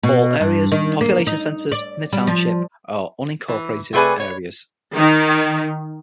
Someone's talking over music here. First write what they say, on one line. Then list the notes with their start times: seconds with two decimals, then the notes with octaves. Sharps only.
All areas and population centers in the township are unincorporated areas.
0.03 B2
0.41 G2
0.72 D#3
1.01 A#3
1.27 D#4
1.72 D5
2.13 G3
2.27 F3
3.48 E3
3.93 C3 A3 G#4 B4 D5 G#5
4.20 C#5
4.94 D#3